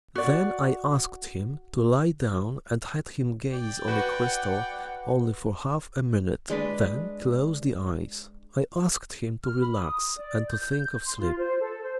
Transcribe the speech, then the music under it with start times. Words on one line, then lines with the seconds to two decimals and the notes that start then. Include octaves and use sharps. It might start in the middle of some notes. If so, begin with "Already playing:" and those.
Then I asked him to lie down and had him gaze on a crystal only for half a minute, then close the eyes. I asked him to relax and to think of sleep.
0.15 F#4 D5
3.52 D5 G5
3.88 F#4 B4 F#5
6.50 G#3 D4 B4
9.43 F6
9.61 B5
9.77 D#6
10.17 D5
10.47 G6
11.06 C6
11.20 F4
11.38 C5
11.60 A4
11.82 C5